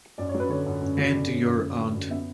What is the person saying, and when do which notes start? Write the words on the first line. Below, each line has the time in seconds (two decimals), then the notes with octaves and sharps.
And your aunt.
0.18 F#2 D5
0.29 C#5
0.34 F#3
0.40 B4
0.49 D3 C#5
0.66 F#2
0.82 F#2
0.98 F#3
1.14 D3 D5
1.30 F#2
1.46 F#2
1.62 F#3
1.78 D3
1.95 F#2
2.10 B3 E5